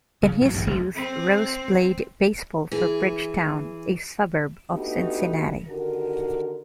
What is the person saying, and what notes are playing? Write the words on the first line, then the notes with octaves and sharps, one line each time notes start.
In his youth, Rose played baseball for Bridgetown, a suburb of Cincinnati.
C#3
A2 F#3
G#1 D2 G2
F#1 D2 A#2 G#3
C4
E3 G#4
A3 B3 D4 D#4 F#4 G4
D3 D#3 F#4 G4 A#4